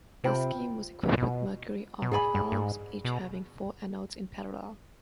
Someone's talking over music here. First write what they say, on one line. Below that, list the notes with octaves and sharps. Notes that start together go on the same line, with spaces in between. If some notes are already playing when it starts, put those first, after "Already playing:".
This scheme was equipped with Mercury arc valves, each having four anodes in parallel.
C3 F4 C5 G5 B5
B2
B2
G#2 G#4 D5 G#5 B5
G2
G2
G#2
B2